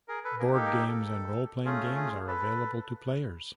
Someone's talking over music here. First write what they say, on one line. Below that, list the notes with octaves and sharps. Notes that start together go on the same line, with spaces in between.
Board games and roleplaying games are available to players.
G#4 A#4
A4 B4
A#3 D#4 G4 G#4 A#4
A4
A#4
A4
A4
A3 C#4 F4 G#4
G#4
A4 B4